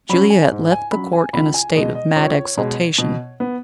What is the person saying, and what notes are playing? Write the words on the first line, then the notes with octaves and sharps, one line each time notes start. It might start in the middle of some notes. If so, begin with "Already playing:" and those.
Juliette left the court in a state of mad exultation.
F#3 C#4 B5
G#5
G#2
G#5
F#3 C#4 B5
G#5
C#2 B5
G#5
B2 G#3 D#5
D#5
C#2 C#5
B2 G#3
B2
B3